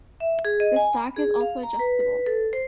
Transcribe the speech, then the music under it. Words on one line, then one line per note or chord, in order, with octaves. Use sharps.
The stock is also adjustable.
E5
G#4
D#5
G#5
B5
G#4
F5
A#5
B4
B4
A4
C5